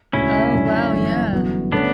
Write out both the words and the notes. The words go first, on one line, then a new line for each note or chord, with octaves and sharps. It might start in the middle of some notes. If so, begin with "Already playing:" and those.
Oh wow, yeah.
E1 D2 C#3 C#4 E4
F#2 D3 F#3
G1 F#2 E3
G1 F#2 E3 B3 F#4
D3 A3 B3 C#4 D4